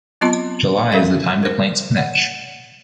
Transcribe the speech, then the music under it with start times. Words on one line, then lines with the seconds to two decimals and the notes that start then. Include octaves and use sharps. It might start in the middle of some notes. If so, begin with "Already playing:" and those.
July is the time to plant spinach.
0.21 F#3 B3 C4 F4 D#5 C6
0.92 G3 C#4 A4 A#4 E5 F5
1.43 A#4 C5
1.97 F#5